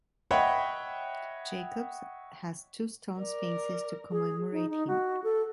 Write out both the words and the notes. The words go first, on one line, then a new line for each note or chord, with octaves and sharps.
Jacobs has two stone sphinxes to commemorate him.
C#5 D#5 E5 F#5 G5 B5
A#4 D5
G#4
D#4
D#4
F#4
A4